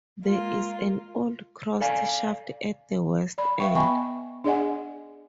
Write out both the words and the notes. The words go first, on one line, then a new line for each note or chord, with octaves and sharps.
There is an old cross shaft at the west end.
G#3 A#3 F4
A4 D5 F5 G#5
D5 B5
B4 E5 F5 G5 C#6
B3 D#5 G5 G#5 B5 C#6
D4 G#4 D5 D#5 F#5 G#5